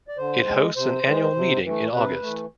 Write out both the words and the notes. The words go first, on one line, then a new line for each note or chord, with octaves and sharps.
It hosts an annual meeting in August.
D5
D3 C5
G#3
C3 C5
E3 G#3
C3
E3 A3
C3 B4
E3 A3